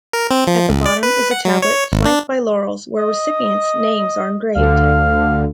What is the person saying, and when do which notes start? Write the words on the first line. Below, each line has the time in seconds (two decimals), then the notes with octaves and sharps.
At the bottom is a tablet flanked by laurels where recipients' names are engraved.
0.13 A#4
0.31 C4
0.47 F3
0.69 C#2
0.86 D5
1.03 B4
1.31 F#5
1.45 F#3
1.62 C#5
1.92 G#1
2.05 D4
2.98 D#5
4.55 D2 D3 F5